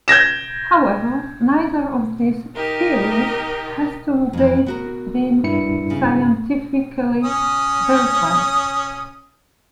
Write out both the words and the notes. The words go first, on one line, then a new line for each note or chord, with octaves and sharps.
However, neither of these theories has to date been scientifically verified.
G6 G#6 A#6 E7
D#4 G4 A#4
F2 E3
B3 F#4 A#4
G2 E4 C#7
C#3
C#4 D#6